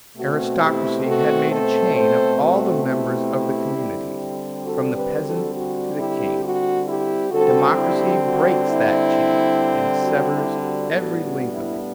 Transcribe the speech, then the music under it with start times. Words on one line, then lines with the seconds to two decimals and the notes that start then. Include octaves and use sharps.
Aristocracy had made a chain of all the members of the community, from the peasant to the king: democracy breaks that chain, and severs every link of it.
0.16 B2 A3 C4 F#4
0.60 E4 G4
1.04 F#4 A4
1.49 A4 C5
1.94 A4 C5
2.40 F#4 A4
2.83 E4 G4
3.73 D3 G3 C4
4.63 F#4 A4
4.93 G4 B4
5.23 F#4 A4
5.52 F#4
5.98 E4 G4
6.42 F#4
6.86 E4 G4
7.31 D3 G3 C4 F#4 A4
7.76 E4 G4
8.21 F#4
8.66 E4
10.00 F#4
10.30 E4
10.60 F#4
10.90 A2 G3 B3 D4 F#4 A4
11.20 F#4
11.50 E4